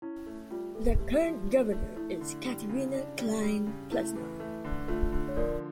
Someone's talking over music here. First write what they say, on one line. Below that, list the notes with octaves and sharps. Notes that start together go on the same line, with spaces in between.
The current governor is Caterina Klein Plesnar.
C#4 E4
A3
G3 F4
E3 A4
A3 G4
F3
D4
A3
A3 E4
D3
G3
C#3
D4
G3
G3
C#3
A3 E4
E3
A3
D3
A3 F4
D3
C#5
F3 A#4 D5